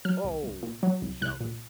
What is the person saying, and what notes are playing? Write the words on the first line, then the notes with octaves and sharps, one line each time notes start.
"Oh!" he shouted.
F#3 F6
C2
C2
A#2
F#3
C2
C2 F#6
A#2